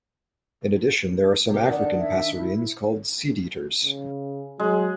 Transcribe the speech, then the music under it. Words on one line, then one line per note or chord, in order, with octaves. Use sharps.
In addition, there are some African passerines called seedeaters.
C3 G4
D#3 D4 F#5
E5
E4
C#3
F#3 G#3